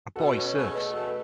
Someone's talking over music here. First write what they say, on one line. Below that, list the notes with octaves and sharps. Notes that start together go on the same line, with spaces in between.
A boy surfs.
B2 F#4 A4
C#4
A3 G#4 B4
B2
A3 F#4 A4